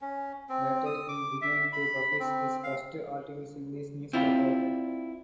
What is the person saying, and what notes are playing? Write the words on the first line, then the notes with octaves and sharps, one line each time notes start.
Later he began to publish his first articles in this newspaper.
C#4
C4
D#6
D6
E5
B5
C4
F5
C4 D4 E4 F4